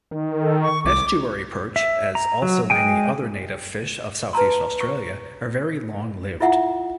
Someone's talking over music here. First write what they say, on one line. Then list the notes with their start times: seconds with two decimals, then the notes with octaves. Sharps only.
Estuary perch, as also many other native fish of southeast Australia, are very long-lived.
0.11 D#3
0.42 A4
0.62 C#6
0.85 C2 D6
1.76 E5
2.15 A#5
2.42 F#3
2.70 G#3 G5 G#5
4.33 B4 A5 A#5 C6
4.81 C#6
6.40 E4 F4 E5 F#5